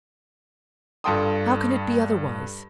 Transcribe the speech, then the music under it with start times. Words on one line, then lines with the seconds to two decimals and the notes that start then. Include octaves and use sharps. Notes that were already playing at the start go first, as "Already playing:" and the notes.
How can it be otherwise?
1.04 G2 F4 A4 G5 C6 D#6